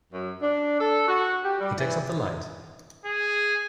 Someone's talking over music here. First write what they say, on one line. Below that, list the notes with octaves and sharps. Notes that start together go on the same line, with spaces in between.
He takes up the light.
F#2
D4
A4
F#4
G4
G3
E3
G#4